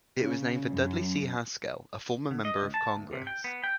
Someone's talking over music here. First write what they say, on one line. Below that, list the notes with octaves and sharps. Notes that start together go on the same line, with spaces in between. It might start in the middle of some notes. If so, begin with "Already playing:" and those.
It was named for Dudley C. Haskell, a former member of Congress.
C#3
F#2
D3
D#5
C#2
A5
D2
C3
G5
B3
G5